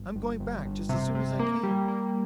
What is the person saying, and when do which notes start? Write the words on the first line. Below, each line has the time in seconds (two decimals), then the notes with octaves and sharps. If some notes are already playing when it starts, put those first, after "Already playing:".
I'm going back just as soon as I can.
Already playing: G1
0.16 G1
0.40 G1
0.65 G1
0.89 C3
1.15 C3
1.39 A#3
1.63 G3
1.88 A#3